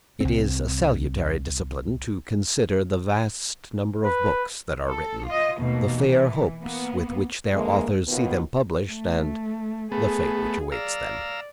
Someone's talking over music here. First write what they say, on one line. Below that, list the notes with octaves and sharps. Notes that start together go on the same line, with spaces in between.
It is a salutary discipline to consider the vast number of books that are written, the fair hopes with which their authors see them published, and the fate which awaits them.
C2 C4
B4
A4
F4 D#5
D#2 B2 A3 A#3
E3
A#3 B3
D3 E3 G#3 A#3
D#2 B2 D#3 B3 F4
A3
A3 B3 G#4
D5 F5 A#5 E6